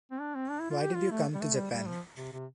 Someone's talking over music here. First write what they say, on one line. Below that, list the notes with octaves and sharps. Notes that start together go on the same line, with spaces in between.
Why did you come to Japan?
C4
D4
C4
D4
E4
F4
G4
F4
A3
G3
A3
G3
G3
F3
C3
C3